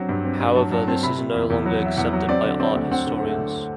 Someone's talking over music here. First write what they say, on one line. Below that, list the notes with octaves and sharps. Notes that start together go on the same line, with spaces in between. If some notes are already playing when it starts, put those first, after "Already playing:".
However, this is no longer accepted by art historians.
Already playing: F#3 C4 D4
G2
C4
G2
F#3 A5
F#3 A5
C4 A5
C3 B5
C3
E2
E2
F#3
F#3 E5
E2 F#5
F#3
C4 D5
D3
C4 D5
D2
C4 F#5
D3
A3
D3